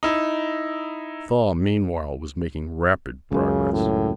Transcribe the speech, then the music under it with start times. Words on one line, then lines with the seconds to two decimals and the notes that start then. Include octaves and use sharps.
The thaw, meanwhile, was making rapid progress.
0.03 D#4 E4
3.32 C#2 F#2 C#3
3.73 A2